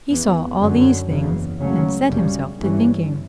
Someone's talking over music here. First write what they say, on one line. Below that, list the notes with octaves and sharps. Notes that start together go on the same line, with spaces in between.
He saw all these things, and set himself to thinking.
E2 C#3 E3 B3
F#2 D3 F#3 C#4
F#1 E2 C#3 E3
C#2 C#3 F#3 A3 C#4
G1 F#2 C#3 G3 C#4
G1 G2 E3 G3 C#4